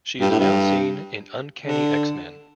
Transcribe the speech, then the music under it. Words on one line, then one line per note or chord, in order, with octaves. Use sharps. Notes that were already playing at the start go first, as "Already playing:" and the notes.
She is now seen in Uncanny X-Men.
G2
A2
G2
D3